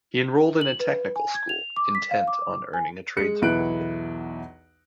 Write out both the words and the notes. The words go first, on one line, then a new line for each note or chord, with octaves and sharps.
He enrolled in a technical school, intent on earning a trade certificate.
F#7
B4
G#5
G#6
F7
D6
B6
F5
D6
G#5
G#3 C#7
B1 E2 E4 B4 F#6 D7